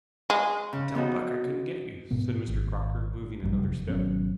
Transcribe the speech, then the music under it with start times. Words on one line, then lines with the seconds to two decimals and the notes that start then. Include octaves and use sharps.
"I'll tell Buck I couldn't get you," said Mr. Crocker, moving another step.
0.30 G#3
0.73 C#3
0.95 B3 D#4 F#4
2.11 G#2 B2 B3
2.48 G#1
3.43 A#1 G2 D3 G3
3.59 F1
3.88 G#1 B2 F#3 C#4